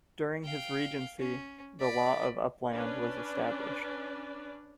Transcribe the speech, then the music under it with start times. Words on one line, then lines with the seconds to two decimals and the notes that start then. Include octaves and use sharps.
During his regency, the law of Uppland was established.
0.44 F5 G5
1.19 C#4
1.80 D5 B5
2.73 C#4 D4 B4 D5